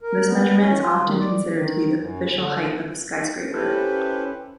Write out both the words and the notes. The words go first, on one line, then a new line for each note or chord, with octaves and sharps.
This measurement is often considered to be the official height of a skyscraper.
A#4
B3
C#4
F4
D#3
D5
D#3
F#2
D3
C#4 E4 G4 A4 B4 C5